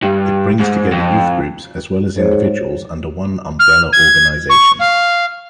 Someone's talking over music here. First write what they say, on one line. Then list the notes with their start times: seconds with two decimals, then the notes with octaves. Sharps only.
It brings together youth groups as well as individuals under one umbrella organisation.
0.03 G2
0.60 G#2
0.92 F2
2.17 G#2 G#4 C5 C#5
3.59 F6
3.93 G#6
4.49 C#6
4.80 F5